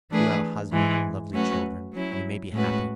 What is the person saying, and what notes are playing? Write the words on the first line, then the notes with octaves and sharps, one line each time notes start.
But you have a husband and lovely children; you may be happy.
E3 A3 D4 G#4 B4
G#2 E3 G#3
F#3 A3 C#4 F#4 B4
F#3 C#4 E4
A2 G#3 C#4 F#4 B4